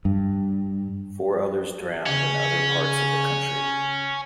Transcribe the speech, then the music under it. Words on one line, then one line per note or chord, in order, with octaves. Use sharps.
Four others drowned in other parts of the country.
G2
C#3 C#4